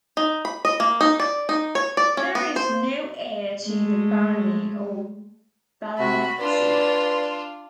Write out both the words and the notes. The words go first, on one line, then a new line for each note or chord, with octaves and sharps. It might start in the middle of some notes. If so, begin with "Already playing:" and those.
There is no heir to the barony or baronetcy.
D#4
B5
D#5
A#3
D#4
D5
D#4
C#5
D5
C#4
B3
C5
G#3 A3
C3 F#4 B5
D4 F4 B4 D5 C6